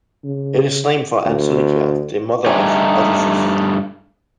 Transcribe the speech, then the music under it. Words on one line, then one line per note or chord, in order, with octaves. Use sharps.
It is named for Anticlea the mother of Odysseus.
C#3
D2
G2 A3 D#4 G4 G#5